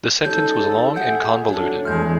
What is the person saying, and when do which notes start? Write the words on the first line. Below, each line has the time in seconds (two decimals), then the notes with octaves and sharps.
The sentence was long and convoluted.
0.25 G3 C#4 D#4 A4 G6
0.96 G#4 A4 E5 F#5 G5 G6
1.49 F#3 D4 A4
1.85 E2 G#3 A3 E4 F6 G6